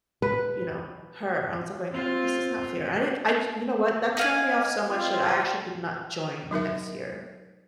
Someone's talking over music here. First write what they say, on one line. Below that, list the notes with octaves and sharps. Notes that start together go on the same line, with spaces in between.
you know, her, I was, like, going, "This is not fair." I did I j you know what? That turned me off so much that I actually did not join the next year.
B4
C4 F4
D#5 F5 G#5
C4 F4
F#3 D#4 A#4 E5